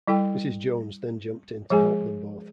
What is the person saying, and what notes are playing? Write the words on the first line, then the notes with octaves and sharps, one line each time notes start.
Mrs. Jones then jumped in to help them both.
G3 E4 A4 G5
F3 G#3 G#4 G#5